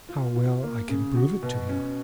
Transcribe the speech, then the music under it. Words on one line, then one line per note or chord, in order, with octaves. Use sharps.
How well I can prove it to you!
F4
F4
A#3
C#3
F#4
B2
C#4